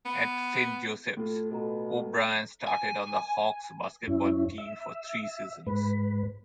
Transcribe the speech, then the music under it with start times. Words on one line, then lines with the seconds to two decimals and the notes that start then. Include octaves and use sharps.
At Saint Joseph's, O'Brien started on the Hawks basketball team for three seasons.
0.05 B3
1.17 A2 F4 A4
1.51 B2 A4 A#5
2.68 G#5
4.07 F#2 C#4 E4
4.58 E5
5.67 G#2 B4